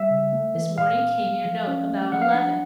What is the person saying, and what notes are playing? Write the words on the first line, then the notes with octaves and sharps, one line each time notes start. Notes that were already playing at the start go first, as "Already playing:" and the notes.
This morning came your note, about eleven.
Already playing: G3 E5
C#3
A3
E3
A#2 F5
B3
F#3
F3
C#4
A3
F3 F#5
F5
D4 F#5